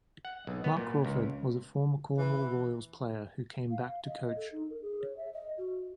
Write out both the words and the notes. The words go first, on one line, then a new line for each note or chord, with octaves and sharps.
Marc Crawford was a former Cornwall Royals player who came back to coach.
F#5
B1
B3
A#2
C#2
E3
F5
D#5
A4
D#4
A#4
G#4
C#5
E5
D#5
F#4